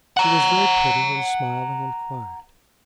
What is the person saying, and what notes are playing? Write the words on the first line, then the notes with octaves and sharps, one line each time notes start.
She was very pretty and smiling and quiet.
F#5 A#5